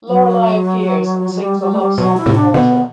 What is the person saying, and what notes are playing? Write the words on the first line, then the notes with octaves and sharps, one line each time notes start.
Loreley appears and sings a love song to Walter.
F#3
F#3
G3
G3
A3
G3
B2 F#3
E4
A2 C3
D4
B2 D3 B3